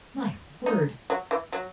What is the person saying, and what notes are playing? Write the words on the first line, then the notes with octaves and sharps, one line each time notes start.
My word!
D#4
F#3
E3
F#3